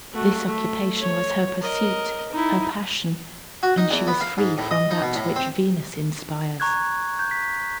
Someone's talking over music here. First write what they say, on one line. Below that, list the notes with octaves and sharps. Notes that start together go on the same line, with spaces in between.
This occupation was her pursuit, her passion; and she was free from that which Venus inspires.
A3 F#4
A3
C#5
A#4 D#5
D#4 E4
F#4
D#4
E2
B3
F5
G#2
A2
D#5
D#4
B2
A2
C4
A#5 C#6 F#6 G#6
G6
B6